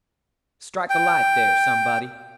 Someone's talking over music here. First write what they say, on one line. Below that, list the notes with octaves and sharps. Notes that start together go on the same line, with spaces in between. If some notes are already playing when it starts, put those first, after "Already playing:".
Strike a light there, somebody.
G5